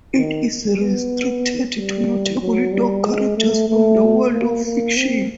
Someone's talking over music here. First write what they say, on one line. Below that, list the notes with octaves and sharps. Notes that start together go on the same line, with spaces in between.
It is restricted to notable dog characters from the world of fiction.
D#3
B3
G3
F#3
G3
G#3
A3
A3
A#3
A#3
C4